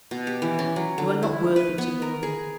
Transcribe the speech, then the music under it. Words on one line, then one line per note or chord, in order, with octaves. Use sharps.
You are not worthy to know him.
B2
G4
E3
C#4
F#3
D3
E4
B4
B3
A#4
G#4